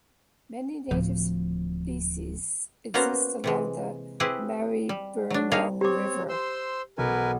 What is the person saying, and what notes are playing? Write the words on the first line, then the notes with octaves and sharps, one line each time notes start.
Many native species exist along the Maribyrnong River.
D1 F3
A#3 B3 C#4 F#4 C5 A#5
C3 E3 G#3
C4 E4 G4 G#4 B4
G3
F#3 D4
A#3 D#4 G#4 C#5 D#5 F5
C4 G4 C#5 D6
C5 C6 E6
B1 A#4 B4 G#5